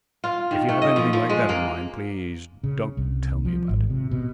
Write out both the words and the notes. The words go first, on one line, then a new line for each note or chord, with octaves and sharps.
If you have anything like that in mind please don't tell me about it.
F4
D#3
A3
D#5
F3
F3
G#3
A#3
C#3
C2
F3
G#1
C3
B2